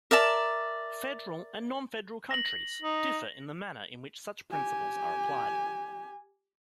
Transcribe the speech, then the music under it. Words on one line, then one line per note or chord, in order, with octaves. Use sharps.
Federal and non-federal countries differ in the manner in which such principles are applied.
A#4 D5 E5 A5
A#6 F#7
D#4
G4 G#5